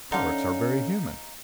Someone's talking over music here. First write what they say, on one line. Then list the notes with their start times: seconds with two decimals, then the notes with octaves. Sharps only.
Parrots are very human.
0.12 D3 C#4 D#4 F5